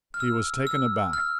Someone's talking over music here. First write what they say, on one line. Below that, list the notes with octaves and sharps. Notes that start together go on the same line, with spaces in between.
He was taken aback.
F6
E6
E6
F6